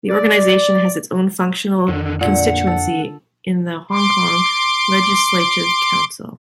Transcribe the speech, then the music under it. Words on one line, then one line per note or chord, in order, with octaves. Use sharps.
The organisation has its own functional constituency in the Hong Kong Legislative Council.
D5
F2 D3 D#3
A#2 D3 F#5
A4
C6 D6